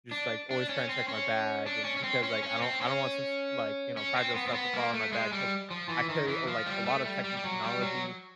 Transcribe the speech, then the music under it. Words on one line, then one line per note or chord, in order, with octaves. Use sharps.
just, like, always trying to check my bag and because, like, I don't I don't want some s like, you know, fragile stuff to fall out my bag 'cause I carry, like, a lot of technology
D4
D4
C#4
C4
C#4
D4
C#4
C#4
C4
C#4
C#4
C4
C#4
C#4
C4
B3
C4
B3
A#3
A3
G#3
G3
F3
E3
D#3
E3
F3
G3
A3
G3
G3
G3
F#3
G3
F#3